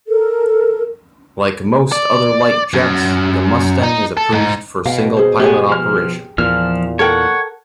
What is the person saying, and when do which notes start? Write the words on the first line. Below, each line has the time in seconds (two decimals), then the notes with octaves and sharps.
Like most other light jets, the Mustang is approved for single-pilot operation.
0.07 A4 A#4
1.92 D5
2.74 F#2
3.83 D#4
4.17 A4
4.32 G#2 D#4
4.86 B2 F5 G5
5.17 G#4 C5
5.40 G#3 B3 G4 G#4 G#5
5.69 F3 F6
6.38 E2 A#2 F3 F6
6.99 A4 A#4 C#5 F#5 G5